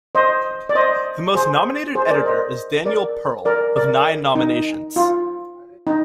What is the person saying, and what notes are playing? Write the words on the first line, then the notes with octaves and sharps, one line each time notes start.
The most nominated editor is Daniel Pearl with nine nominations.
C5 D#5
D5
C5 D#5
G#4 C5
G#4 C5
A#4 D5
C5 D#5
A#4 D5
A#4 D5
A#4 D5
D#4
F4
D#4